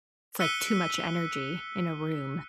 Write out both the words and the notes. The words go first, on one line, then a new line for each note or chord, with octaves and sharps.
it's, like, too much energy in a room.
E6 F#6 B6 C#7 D#7 G7